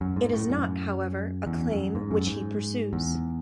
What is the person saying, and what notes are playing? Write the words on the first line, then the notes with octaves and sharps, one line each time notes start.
It is not, however, a claim which he pursues.
F#2
G#2
A2
F#2
E2
F#2
G#2
F#2
G#2
E2